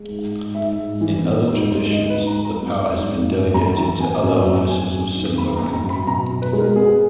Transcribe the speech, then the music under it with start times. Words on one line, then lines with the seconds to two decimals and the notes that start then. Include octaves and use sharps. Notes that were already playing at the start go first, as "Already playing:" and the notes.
In other traditions, the power has been delegated to other officers of similar rank.
Already playing: G#3
0.08 G#2
0.31 G#2
0.55 G#2 E5
0.77 G#2
1.01 E3
1.24 B3
1.48 G#2
1.71 G#2
1.93 G#2 D#5
2.10 B4
2.16 G#2
2.27 A#5
2.39 F#3
2.45 A#5
2.62 B3
2.85 G#2
3.07 G#2
3.31 F#2
3.54 F#2 A#5
3.77 E3 A#5
4.00 B3 G#5
4.23 F#2
4.46 F#2
4.69 F#2 G#5
4.92 F#2
5.15 D#3
5.38 A#3 B5
5.56 A#5
5.62 F#2
5.73 A#5
5.84 F#2
5.90 B5
6.07 B2 A#5
6.30 B2
6.42 B4
6.53 G#3
6.59 A#4
6.76 B3 G#4